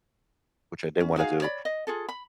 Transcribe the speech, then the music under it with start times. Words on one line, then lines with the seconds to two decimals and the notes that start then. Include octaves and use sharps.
which I didn't wanna do."
1.00 C#4
1.16 D#4 F#4 G#4 F5
1.42 C#5 D5 B5
1.65 D#5
1.87 F4 G#4 A4
2.09 B5